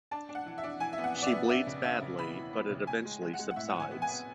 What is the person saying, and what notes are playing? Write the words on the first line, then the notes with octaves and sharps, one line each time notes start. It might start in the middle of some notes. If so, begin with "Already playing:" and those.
She bleeds badly, but it eventually subsides.
D4 A5
D4
F#5
E3
E5
D4
E3 G#5
E5
B3
F#5
B3
D5
E5
B3
D4 E5
C#3
D4 E5
C#3
B3 B5
E3
B3
C#3
A2 G#5
G#3
G#3
F#5
G#3
F#5
A2 E5
A2 F#5
G#5
B3
G#5
B3